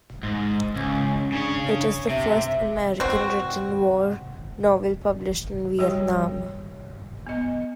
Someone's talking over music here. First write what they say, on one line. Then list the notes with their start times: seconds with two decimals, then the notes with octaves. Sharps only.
It is the first American-written war novel published in Vietnam.
0.23 G#2
0.76 C#2 C#4
1.32 C#3 D4 C#5
2.09 C3 E5
3.00 C4 F#4
5.79 G3 F#4 G4 C#5 G5
7.27 B3 D#5